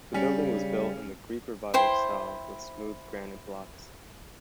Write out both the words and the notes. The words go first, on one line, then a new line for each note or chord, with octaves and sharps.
The building was built in the Greek Revival style with smooth granite blocks.
C#3 G3 C#4
E4 C5 G5 C6